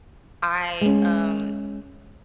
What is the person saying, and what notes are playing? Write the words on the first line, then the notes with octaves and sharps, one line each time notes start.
I, um,
G#3 C#4